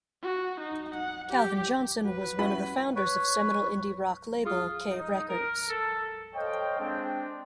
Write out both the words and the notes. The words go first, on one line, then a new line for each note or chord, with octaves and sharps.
Calvin Johnson was one of the founders of seminal indie-rock label K Records.
F#4
D#4
F#5
G4
F#4 B4
G3 C#4 E4 F#4 B5
B4 C#5
F4 G#4 D#6
D#4
A#4
A4
A4 C5 C#5 D#5 F5 G5
G#3 C4 D4 G5